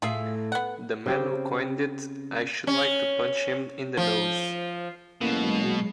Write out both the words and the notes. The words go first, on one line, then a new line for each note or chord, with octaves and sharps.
The man who coined it, I should like to punch him in the nose.
A2 F4 G#4 E5
B3 F#5
C#3 C4 G4
C#4
F3
A1 B2 F#3 G#3 A#3 C7